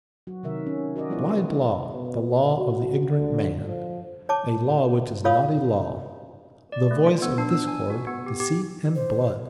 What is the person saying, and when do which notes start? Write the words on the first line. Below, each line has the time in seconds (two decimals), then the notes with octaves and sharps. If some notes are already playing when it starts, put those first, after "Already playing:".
Blind law; the law of the ignorant man; a law which is not a law; the voice of discord, deceit, and blood!
0.27 F#3 F#4
0.43 C3 D#3 A#4 E5
0.67 C#4
0.96 F#4 A#4 D5 D#5
1.10 F3 G3 B3 E4 F4 D5
1.93 B2
2.58 F#4
3.11 D3
3.66 F3
4.29 C#5 A5 D6
5.24 F4 A4 C#5 F5 B5 D#6
6.72 D5
6.91 A3
7.06 F4
7.22 B3
7.38 D4
7.50 E6
7.68 G#5
7.90 F#4
8.07 B3
8.26 G4
8.40 G4
8.95 C5